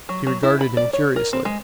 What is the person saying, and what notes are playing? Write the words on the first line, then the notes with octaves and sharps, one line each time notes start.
She regarded him curiously.
F#3
F#3
E4
B5
D5
C#5
A#4
C4
G#3